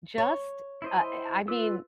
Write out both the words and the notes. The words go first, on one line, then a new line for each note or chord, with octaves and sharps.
just uh, I I mean,
C#5
E4 C5 D#5
F4 B4 E6